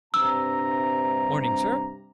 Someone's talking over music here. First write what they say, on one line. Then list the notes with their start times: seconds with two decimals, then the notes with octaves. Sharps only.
'Morning, sir!
0.14 G2 C3 A#5 E6